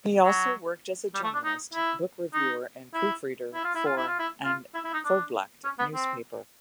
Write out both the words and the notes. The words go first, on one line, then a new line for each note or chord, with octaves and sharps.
He also worked as a journalist, book reviewer and proofreader for "An Phoblacht" newspaper.
F#3
G3
A3
D4
D#4
E4
D#4
E4
E4
F4
E4
F4
E4
F4
E4
F4
E4
E4
D#4
D4
C#4
B3
C4